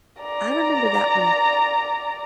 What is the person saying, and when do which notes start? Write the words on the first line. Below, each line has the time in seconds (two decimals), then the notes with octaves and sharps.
I remember that one.
0.21 D5 A#5